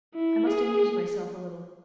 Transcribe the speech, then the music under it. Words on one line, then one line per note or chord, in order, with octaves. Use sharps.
I must amuse myself a little.
E4
G#4